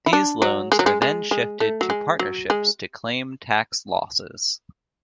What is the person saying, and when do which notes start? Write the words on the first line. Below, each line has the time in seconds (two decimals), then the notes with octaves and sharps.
These loans are then shifted to partnerships to claim tax losses.
0.06 E4
0.13 D4
0.42 F#3
0.72 G#3
0.79 F#3
0.86 G#3
1.02 G#3
1.31 G#3
1.60 A3
1.81 F#3
1.90 G#3
2.19 F#3
2.50 G#3